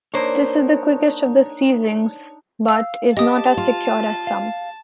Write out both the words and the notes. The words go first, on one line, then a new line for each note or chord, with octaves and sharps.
This is the quickest of the seizings, but is not as secure as some.
A#3 D4 D#4 C5 C#5
F5 E6
G4 D#5 A5 D#6
F4
F5